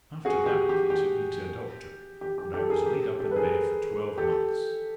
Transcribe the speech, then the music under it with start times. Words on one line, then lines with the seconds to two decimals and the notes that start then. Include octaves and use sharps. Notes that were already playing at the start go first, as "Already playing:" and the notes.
After that they took me to a doctor, and I was laid up in bed for twelve months.
0.25 F#4 G#4
0.46 G4
0.69 G4
0.90 G4
2.21 G4
2.38 G4
2.54 G4 A4
2.70 G#4 A#4
2.86 G4 A4
3.19 G4 A4
3.31 B4
3.36 G#4 A#4
4.18 G4 A4